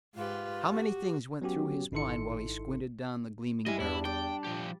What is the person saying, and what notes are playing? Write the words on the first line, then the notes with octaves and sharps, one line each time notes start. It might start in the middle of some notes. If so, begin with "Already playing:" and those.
How many things went through his mind while he squinted down the gleaming barrel!
G#2 F4 G4 B4
F#4 G4
F#3 B3 C#4 F#4 G4
G#1 D#4 E4 A4 C6 C#7
G3 E4 D#5 G#5
E2 D4 E4
D5 G5
A#2 F3 G4